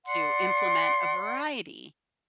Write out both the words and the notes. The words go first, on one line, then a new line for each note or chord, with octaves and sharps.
to implement a variety
D5 F#5 C6